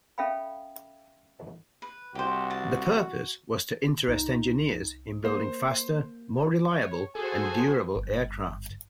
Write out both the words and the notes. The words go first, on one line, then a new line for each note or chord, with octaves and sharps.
The purpose was to interest engineers in building faster, more reliable, and durable aircraft.
C#4 A4 E5 F5 G5 B5
B4
C2 F#4 G4 C5
A5
C2 D#4
A#3 C5
C#5
F#4 G#4 A4 C5 G#5
G1